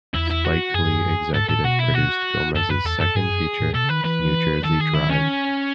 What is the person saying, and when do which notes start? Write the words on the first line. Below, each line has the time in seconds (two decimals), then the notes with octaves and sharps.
Spike Lee executive produced Gomez's second feature, "New Jersey Drive".
0.14 E2 E4
0.30 E4
0.45 F#4
0.74 F#2 G#4
1.34 G#2 A4
1.49 A2 A4
1.64 B2 F#4
1.80 E4
1.95 F#4
2.55 F#2 A4
2.70 F#2 B4
2.84 E2 A4
2.99 F#2 A4
3.15 G#2 G#4
3.29 F#2
3.60 A2
3.75 B2 A4
3.84 C#3
3.89 D#3 B4
4.05 E3 B4
4.64 D#3 A4
4.81 G#4
4.95 E4
5.10 C#4